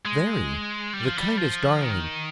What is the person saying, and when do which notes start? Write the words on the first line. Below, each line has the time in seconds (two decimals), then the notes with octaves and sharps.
'Very--the kindest darling.
0.05 G#3
0.93 G3
1.05 F3
1.17 G3
1.38 F3
1.81 D#3